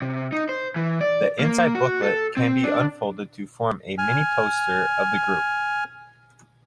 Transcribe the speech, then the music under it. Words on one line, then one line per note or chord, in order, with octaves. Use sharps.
The inside booklet can be unfolded to form a mini-poster of the group.
C3
D#4
C5
E3
D5
A#3
F#4
A4
C4
D4
G#5 F6